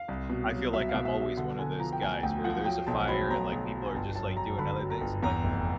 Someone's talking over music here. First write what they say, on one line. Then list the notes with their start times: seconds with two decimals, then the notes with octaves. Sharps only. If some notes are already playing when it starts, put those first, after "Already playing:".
I feel like I'm always one of those guys where, there's a fire and, like, people are just, like, doing other things. I'm like,
Already playing: F5
0.08 C2
0.30 B2
0.52 F#3
0.73 F#3 E5
0.89 F5
0.94 B2
1.05 E5
1.16 F#3
1.21 E5
1.37 D3 F#5
1.59 D3 G#5
1.80 F3 A#5
1.92 G5
2.02 D2 G#5
2.23 D2 G5
2.44 F3 F#5
2.65 F#3 G5
2.87 B1 A5
3.09 F#3 B5
3.30 B1 A#5
3.52 B1
3.73 F#3
3.86 G#5
3.94 G1 A5
4.15 F#2 A5
4.37 F#2 A#5
4.58 D3 B5
4.80 F#3
4.90 A#5
5.01 G1
5.22 E2 A#5
5.44 F1